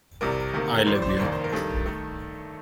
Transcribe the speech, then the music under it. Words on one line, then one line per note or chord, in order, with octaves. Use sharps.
I Love You.
C2 C3 G3 A#4
D2 C3 D#3 A#3
A1 A2 G3 C5
D5
C5
D5
C5
F1 D#2 D#3 A#3 D5
C5
A#4
G2 D#3 G3 A4
D#3 A3